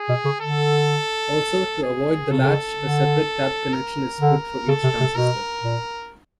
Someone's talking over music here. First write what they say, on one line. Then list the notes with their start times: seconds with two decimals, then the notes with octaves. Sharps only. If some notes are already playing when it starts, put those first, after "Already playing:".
Also to avoid the latch, a separate tap connection is put for each transistor.
Already playing: G#4
0.09 B2
0.25 C#3
0.40 D3 A4
1.83 G#4
2.30 C#3 A4
2.38 C3
2.45 C#3
2.78 D3
3.73 A#4
4.21 D3
4.68 C#3 A4
4.84 C3
5.00 C3
5.15 B2 A#4
5.63 A#2